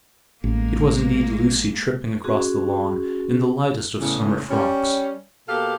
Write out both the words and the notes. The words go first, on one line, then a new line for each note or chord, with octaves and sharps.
It was indeed Lucy tripping across the lawn in the lightest of summer frocks.
A1 G#3 A#3
C4 C#4 F#4 G#4
E2 A2 C#3
G3 C#4
B2 A#3 G4 A4 F5